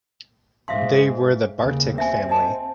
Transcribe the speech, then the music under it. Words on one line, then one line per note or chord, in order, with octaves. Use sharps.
They were the Bartik family.
G#2 E5 F5 C6
D#2 C#3
C4 E5 G#5
D#5 A5